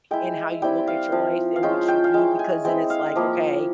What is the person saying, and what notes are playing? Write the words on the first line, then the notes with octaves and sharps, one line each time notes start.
in how you look at your life and what you do, because then it's like, okay,
G#3 E4 G5
G3 C4 E4 G5
F5
F3 C4 E4
F5
G#3 C#4 F4 G5
G5
F5
G#3 E4 G5
G#5
G#3 C4 E4 G5
F5
F3 A#3 E4